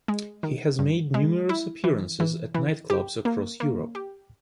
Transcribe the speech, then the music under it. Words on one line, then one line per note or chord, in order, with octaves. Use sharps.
He has made numerous appearances at nightclubs across Europe.
G#3
D#3
G2
G#3
E4
E3
E3
E3
G4
A#3
A#3
G4